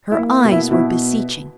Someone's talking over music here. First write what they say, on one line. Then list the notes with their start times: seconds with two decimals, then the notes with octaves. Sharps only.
Her eyes were beseeching.
0.12 E4
0.18 A#3
0.44 B2
0.51 E4
0.71 B2 E4